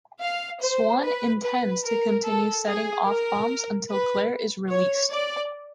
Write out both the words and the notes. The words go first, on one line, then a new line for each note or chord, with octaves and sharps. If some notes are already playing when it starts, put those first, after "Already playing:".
Swan intends to continue setting off bombs until Claire is released.
F5
C5
B4
B4
A#4
A4
G#4
A#4
B4
C#5
D5